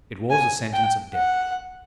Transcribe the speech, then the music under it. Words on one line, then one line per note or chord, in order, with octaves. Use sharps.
It was a sentence of death.
G#5
G5
F#5